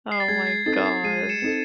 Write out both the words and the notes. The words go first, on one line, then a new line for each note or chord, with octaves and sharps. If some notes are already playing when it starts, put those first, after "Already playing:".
Oh my gosh.
C7
A6
G#3 G#6
C7
C4 D#4 A4 A6
C7
G#3 C7 D#7
C#7 E7
C4 D#4 A4